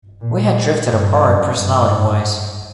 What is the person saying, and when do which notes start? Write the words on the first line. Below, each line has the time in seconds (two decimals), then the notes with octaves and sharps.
We had drifted apart, personality-wise.
0.21 A#2
0.89 G2
1.22 F#2
1.56 G2
1.90 G2